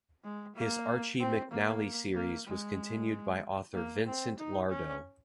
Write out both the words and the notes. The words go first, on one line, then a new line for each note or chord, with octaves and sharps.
His Archy McNally series was continued by author Vincent Lardo.
G#3
A#3
C4
A#3
A#3
G#3
A#3
C4
D#4
C#4